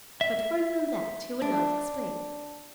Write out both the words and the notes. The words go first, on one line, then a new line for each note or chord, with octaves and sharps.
But further than that he would not explain.
E5
D4